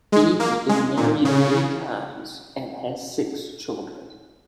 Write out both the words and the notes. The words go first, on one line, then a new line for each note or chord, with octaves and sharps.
He has been married three times, and has six children.
G#3
A#3
G#3
A#2
C#3